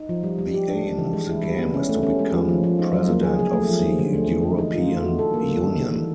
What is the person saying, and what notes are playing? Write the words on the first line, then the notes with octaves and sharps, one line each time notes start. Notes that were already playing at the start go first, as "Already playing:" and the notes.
The aim of the game is to become President of the European Union.
Already playing: D#4
F3
G3
G3
G4
D4
G3
E3
G#3
E4
G3
B3
C#4
A3
C#4
G#3
F3
F3
F3
D#4
F#3
A#3
G#4
G#4
A3
F3
G3
D3
A3
A3
E3
D#4
F4
A3
F#4
A4
A#3
G3
D#3
D#3
E3